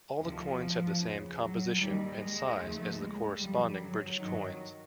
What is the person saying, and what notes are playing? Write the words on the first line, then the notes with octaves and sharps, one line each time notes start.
All the coins have the same composition and size as the corresponding British coins.
D2 C3 D#3 F3
E2 C#3 F3
F#3
D#2 D#3 G3
G#3
D#2 C#3 F3 A3
G#3
F#2 D3 F3 G3
F#3
G2 D#3 F#3